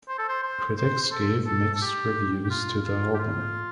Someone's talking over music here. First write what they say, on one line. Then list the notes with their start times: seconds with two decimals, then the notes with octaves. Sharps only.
Critics gave mixed reviews to the album.
0.09 C5
0.18 A4
0.29 C5
0.43 C5
0.77 C5
1.03 C5
1.12 A4
1.47 A4
1.75 A4
1.82 G4
2.45 G4
2.50 F4
2.85 F4
3.15 G4
3.19 F4